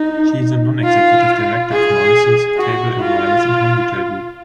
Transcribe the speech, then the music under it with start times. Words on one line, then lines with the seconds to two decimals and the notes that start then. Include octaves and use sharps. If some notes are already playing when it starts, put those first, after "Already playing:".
She is a non-executive director of Morrisons, Cable and Wireless and Home Retail Group.
Already playing: D#4
0.84 F4
1.71 G#4
2.57 F#4
3.00 F4